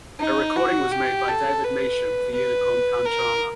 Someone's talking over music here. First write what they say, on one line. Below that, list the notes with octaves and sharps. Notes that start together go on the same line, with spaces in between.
A recording was made by David Measham for Unicorn Kanchana.
D#4
F#4
G4
A4
B4
B4
A#4